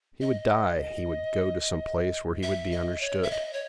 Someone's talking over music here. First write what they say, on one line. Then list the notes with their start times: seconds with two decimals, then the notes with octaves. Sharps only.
He would die; he would go to some place where he would be understood.
0.21 D#5
2.43 E5
2.72 D#5
3.01 C#5
3.23 E5
3.31 D#5
3.53 C#5